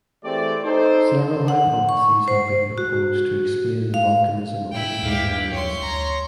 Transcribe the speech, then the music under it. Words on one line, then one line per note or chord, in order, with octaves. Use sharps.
Several hypotheses have been proposed to explain the volcanism of the Canary Islands.
E3 A3 C4 G4 G#4 D5
D#4 A4 C5
F#5
C#6
C5
F#4
F5
A#2 E4 G5
D#2 G4 F5
C#5 C6
D2 A#5